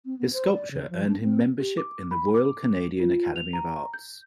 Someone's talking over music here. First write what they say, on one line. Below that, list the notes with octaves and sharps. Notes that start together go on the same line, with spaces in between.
His sculpture earned him membership in the Royal Canadian Academy of Arts.
C4
B3
C5
D5
C#3
F3
D4
C4
G4
D6
B5
D6
F4
F7
A#5
G6